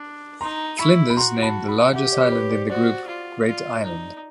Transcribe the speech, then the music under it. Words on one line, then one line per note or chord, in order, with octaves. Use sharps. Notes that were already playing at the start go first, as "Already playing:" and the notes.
Flinders named the largest island in the group "Great Island".
Already playing: D4
D#4 A#5 C6
E4 B5 C#6
B5
F#4 A#5 C6
A5 B5
A5 B5
G4 E5 F#5
C#5 D#5
B4 C#5
C5 D5
F#4 C5 D5
F4
F4
D#4